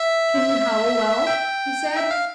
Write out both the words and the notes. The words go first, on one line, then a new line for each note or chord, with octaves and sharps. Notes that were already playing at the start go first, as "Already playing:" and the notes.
'Can you howl well?' he said.
Already playing: E5
G5
E5
F5